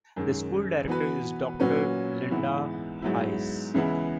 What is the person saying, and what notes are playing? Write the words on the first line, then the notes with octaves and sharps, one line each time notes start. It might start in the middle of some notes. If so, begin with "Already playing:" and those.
The School Director is Doctor Lynda Hayes.
F#2 D#3 G#3
E3 B3 F#4 B4
A#2 F#3 C#4 F#4 B4
G#2 E3 B3 E4
G#2 F#3 B3 E4
C#2 C#3 E3 B3 E4